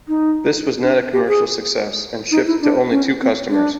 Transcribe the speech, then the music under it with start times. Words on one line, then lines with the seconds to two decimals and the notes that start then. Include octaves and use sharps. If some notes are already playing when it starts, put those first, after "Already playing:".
This was not a commercial success and shipped to only two customers.
0.08 D#4
0.82 D4
1.13 G4
1.28 G#4
2.31 D#4
2.46 E4
2.61 D4
2.91 C#4
3.21 C4
3.50 D4